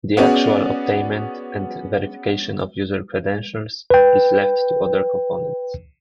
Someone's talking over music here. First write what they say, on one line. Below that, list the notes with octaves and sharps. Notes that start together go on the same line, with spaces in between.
The actual obtainment and verification of user credentials is left to other components.
B3 C#4 F#4 G#4 D5
B4 G5